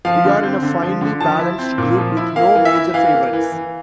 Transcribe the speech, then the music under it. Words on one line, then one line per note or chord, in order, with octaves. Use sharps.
We're in a finely balanced group with no major favourites.
F3 F5
D3
C4
D3
F3
D3
F3 A5
E4
C4
A#2
F3
E4
A#3 F5
E3
E5
E4
E3 F5
A#3
E3
E3